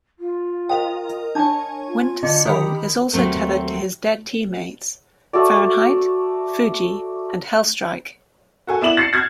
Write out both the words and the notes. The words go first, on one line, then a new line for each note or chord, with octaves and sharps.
Winter's soul is also tethered to his dead teammates; Fahrenheit, Fuji, and Hellstrike.
F4
A#4 C5 D#5 F5 G5
D4 C#5 G#5 A5
F4
D3 D5 D#5 C#7
D#3 G4 A#4 B5
D#2 F#3 A3 C4
A3 F#4 D5
F#4 A4 G#5
B3 E4 D5 E7 F#7
A6 C7 C#7
F6 F#6 G#6 A6